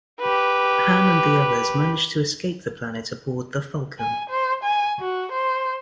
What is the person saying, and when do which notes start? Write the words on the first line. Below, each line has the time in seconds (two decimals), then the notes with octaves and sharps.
Han and the others manage to escape the planet aboard the "Falcon".
0.20 G4 B4
3.99 G#5
4.30 C5
4.64 G#5
5.00 F#4
5.33 C5